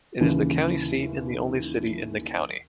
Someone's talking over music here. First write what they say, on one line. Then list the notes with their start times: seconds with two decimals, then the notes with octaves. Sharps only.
It is the county seat and the only city in the county.
0.20 D#2 C#3 E3